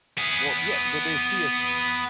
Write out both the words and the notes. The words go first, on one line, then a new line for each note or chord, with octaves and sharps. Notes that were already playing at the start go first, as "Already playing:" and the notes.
Well, yeah, well, they see us
B3 G#4